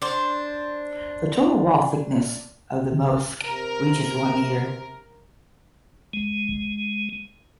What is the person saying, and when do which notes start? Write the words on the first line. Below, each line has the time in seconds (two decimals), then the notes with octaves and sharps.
The total wall thickness of the mosque reaches one meter.
0.02 D4 C5
3.43 C3 A#4
6.13 G#3